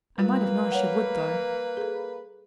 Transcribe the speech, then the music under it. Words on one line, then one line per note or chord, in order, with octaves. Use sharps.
I might have known she would, though.
G3 A#3 F4 B4
C#5 F#5
G#4 A4